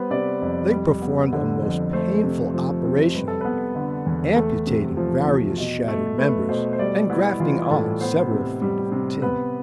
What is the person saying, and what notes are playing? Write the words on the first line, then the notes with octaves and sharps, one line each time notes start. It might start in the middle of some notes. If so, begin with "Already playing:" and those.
They performed a most painful operation on me, amputating various shattered members and grafting on several feet of tin.
Already playing: G3 B3 B4 C5
C3 D5
F2
G3
B3
D3
F2
A3 C5
C3
F3
C3
G3 B4
A4
B3 B4
D3
E2
A3 A4
C3
F3
C3
B2
A3
A3 B4
B2 C5
C5
G3 D5
B3 E4
E3 F4
A2 A4
B3 C5
C3
G3
C3
B3 B4